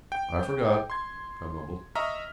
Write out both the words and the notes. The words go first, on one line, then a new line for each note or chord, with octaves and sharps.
"I forgot," I mumbled.
G5
C6 G#6
D#5 E5 A#5 C#6 F6